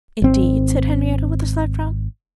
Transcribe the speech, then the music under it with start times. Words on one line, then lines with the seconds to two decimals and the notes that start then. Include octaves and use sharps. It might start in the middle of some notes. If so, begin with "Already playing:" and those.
"Indeed?" said Henriette, with a slight frown.
0.22 G#1 C4